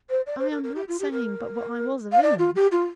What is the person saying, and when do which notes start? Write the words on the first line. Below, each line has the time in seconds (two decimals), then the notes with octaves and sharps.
I am not saying but what I was a villain.
0.10 C5
0.27 D5
0.39 C5
0.51 A#4
0.63 A#4
0.76 G4
0.88 F4
1.00 G4
1.12 A#4
2.12 F5
2.23 D5
2.39 F4
2.56 G4
2.72 F4